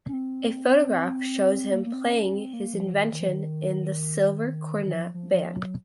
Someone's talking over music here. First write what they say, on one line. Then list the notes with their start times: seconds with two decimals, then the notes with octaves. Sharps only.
A photograph shows him playing his invention in the Silver Cornet Band.
0.09 C#4
0.13 C4
1.73 A#3
1.86 A#3
1.93 C4
2.13 C#4
2.33 C4
2.53 A#3
2.74 F3
2.93 D#3
3.13 D#3
3.21 F3
3.28 D#3
4.86 D#3
4.94 F3
5.14 F3
5.34 F3
5.54 F#3